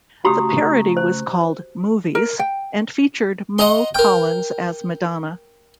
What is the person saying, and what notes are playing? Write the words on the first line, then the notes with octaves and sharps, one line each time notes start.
The parody was called "Movies", and featured Mo Collins as Madonna.
C#3 A3 F#4 G4 A#5 D#6
C5
A#4
G5
D#5 F#5 A#5 C6
A#4 G5